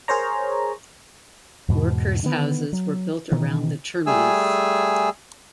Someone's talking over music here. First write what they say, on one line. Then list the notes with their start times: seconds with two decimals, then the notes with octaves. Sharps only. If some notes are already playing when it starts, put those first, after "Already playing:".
Workers' houses were built around the terminus.
0.08 G#4 A#4 C5 C#5 A#5
1.68 E2 G#2 B2
2.23 D3 D#3 G#3 B3
2.73 F#3
3.31 B2 D#3 E3
4.06 G3 A3 G#4 G#5 E6